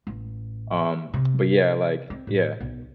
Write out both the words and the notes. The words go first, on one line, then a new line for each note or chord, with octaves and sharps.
Um, but, yeah, like Yeah.
A1
C3
C4
A2
B1